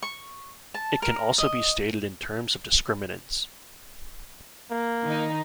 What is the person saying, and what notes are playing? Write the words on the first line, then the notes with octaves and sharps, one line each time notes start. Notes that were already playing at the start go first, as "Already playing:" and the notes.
It can also be stated in terms of discriminants.
C#6
A5
A#4
D#5
A#3
D#3 D#4